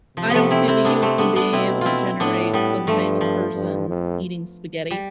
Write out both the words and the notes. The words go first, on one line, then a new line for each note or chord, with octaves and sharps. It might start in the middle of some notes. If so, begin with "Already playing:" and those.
I don't see the use in being able to generate some famous person eating spaghetti
C3 F3
F3 A3 B3
C4 E4
C4 E4
B3 D4
A3 C4
B3 D4
B3 D4
B2 C4 E4
C4 E4 F4
A2 B3 D4
G3 B3
G2 F3 A3
F3
G2
F2
G3